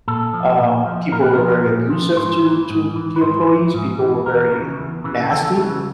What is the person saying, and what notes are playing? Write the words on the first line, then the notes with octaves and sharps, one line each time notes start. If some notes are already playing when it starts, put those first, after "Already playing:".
um, people were very abusive to to the employees, people were very nasty,
A#2 A4
F3
A#2
F3
A#2 A#4
B4
A#4
F3
A#2
F3
G#2 C5
E3
G#2
E3
B4
G#2 C5
E3
G#2
E3
E2 A#4
C#3 E3
E2
C#3 E3
E2 A4
C#3 E3